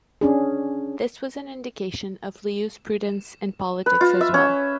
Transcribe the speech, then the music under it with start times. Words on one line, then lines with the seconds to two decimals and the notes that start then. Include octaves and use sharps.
This was an indication of Liu's prudence in politics as well.
0.21 C#4 D4 G#4
3.86 B4
4.01 F4
4.21 E5
4.34 C#4